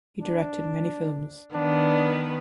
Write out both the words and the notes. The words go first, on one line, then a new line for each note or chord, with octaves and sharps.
He directed many films.
D4
D#3 B3 D4 B4